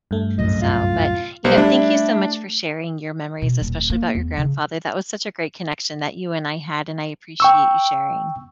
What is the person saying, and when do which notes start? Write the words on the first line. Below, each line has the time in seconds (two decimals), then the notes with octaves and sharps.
so but, you know, thank you so much for sharing your memories, especially about your grandfather. That was such a great connection that you and I had, and I appreciate you sharing.
0.11 G2 A3
0.39 C2 F#2 A2 D#5
0.61 F4
1.45 B1 G3 C5
1.58 A3 D4 E4
3.42 B2
3.61 D#1
3.90 A#3
4.15 E2
4.37 C#3
7.40 G5 C#6 E6